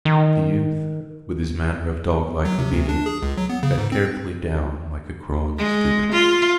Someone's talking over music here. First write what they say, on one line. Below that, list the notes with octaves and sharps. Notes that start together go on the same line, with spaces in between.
The youth, with his manner of doglike obedience, got carefully down like a crone stooping.
D#3
F#3
C3
D2
D4
G#4
C#2
F#3
B3
C#3
G#2
C4
G#3
F4